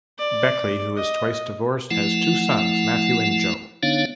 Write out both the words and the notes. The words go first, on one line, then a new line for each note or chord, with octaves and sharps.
Beckley, who is twice divorced, has two sons, Matthew and Joe.
D5
D#5
F3 A3 E4 F#5
D3 B3 D4 D#4 C#5 F5